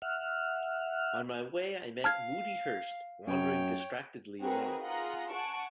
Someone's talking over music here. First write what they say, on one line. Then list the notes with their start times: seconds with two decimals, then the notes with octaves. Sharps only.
On my way I met Moody Hurst wandering distractedly around.
0.02 E5 F#5 F6
2.04 F5 A5 F6 G#6
3.27 F#2 C#5 G5
4.42 C4 D#4 F#4 G#4 A#4 B4
4.84 F4 G#4 F#5 A#5 D#6
5.32 F#5 G#5 A5 C#6 D7